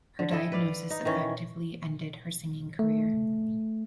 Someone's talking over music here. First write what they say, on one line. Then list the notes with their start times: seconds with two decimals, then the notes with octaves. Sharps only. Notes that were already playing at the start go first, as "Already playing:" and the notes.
Her diagnosis effectively ended her singing career.
0.19 D3
0.31 E4 A4 D#5 G5
0.52 B4 D5 F5
0.90 D#4
1.05 D#3 E3 C#4
2.79 A3